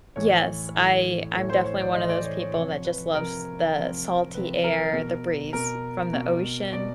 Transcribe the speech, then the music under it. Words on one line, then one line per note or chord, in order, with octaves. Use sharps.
Yes, I I'm definitely one of those people that just loves the salty air, the breeze from the ocean.
A2 E3 C#5
A2 E3
A2 E3 C#5
C5
C#5
D5
A2 E3 D#5
D5
C#5
C#5
C3 F3 C#5
B4
C3 F3 A#4
C3 F3
C3 F3 B4
A#4
B2 A#4
B2 A#4
B2
B2 D5